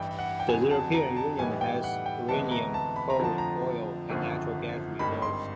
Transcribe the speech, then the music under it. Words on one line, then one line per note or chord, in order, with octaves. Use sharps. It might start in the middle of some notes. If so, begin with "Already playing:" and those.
The European Union has uranium, coal, oil, and natural gas reserves.
Already playing: A1 G2 E3 G5
F#5
G5
F2 D3 F#3 G#5
A5
A#5
A5
A2 E3 G3 B3 D#4 G#5
G5
F#5
G5
D2 C3 E3 G#3 B3 A5
A#5
A5
B5
A#5
F2 D3 F3 A3 A5
A#5
G#1 F#2 D3 F3
G#1 G2 D#3 G#3 B5
C6